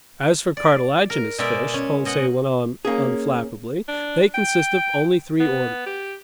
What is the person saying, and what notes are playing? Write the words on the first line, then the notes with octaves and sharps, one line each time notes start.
"As for cartilaginous fish," Conseil went on unflappably, "they consist of only three orders."
D5
A#4
B2 G#3 A#4 D5 E5
C#4
B2 D#5 F#5
A#3 C#4 G#4
D4
G5
B3
G4